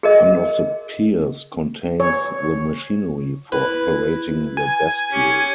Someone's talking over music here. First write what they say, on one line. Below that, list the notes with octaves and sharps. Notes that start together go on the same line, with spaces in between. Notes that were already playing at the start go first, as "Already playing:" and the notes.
One of the piers contains the machinery for operating the bascule.
G#4 A#4 D#5
C#5
E4 B4
G#5
C#4 G4